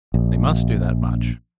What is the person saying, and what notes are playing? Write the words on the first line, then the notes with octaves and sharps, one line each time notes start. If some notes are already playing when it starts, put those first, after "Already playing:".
They must do that much.
A#1